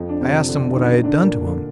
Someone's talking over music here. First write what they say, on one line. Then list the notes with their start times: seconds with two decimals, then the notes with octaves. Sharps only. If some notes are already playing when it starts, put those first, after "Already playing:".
I asked him what I had done to him.
Already playing: F2 F3
0.09 D4
0.21 C3 C4
0.48 D3 D4
0.76 D#3 D#4
1.03 D3 D4
1.22 A#2 A#3
1.41 D3